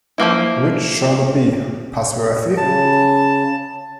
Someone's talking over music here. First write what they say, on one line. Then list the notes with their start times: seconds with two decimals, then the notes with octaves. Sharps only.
Which shall it be, Passworthy?
0.18 F3 A3 A#3 E4
2.57 C#3 A5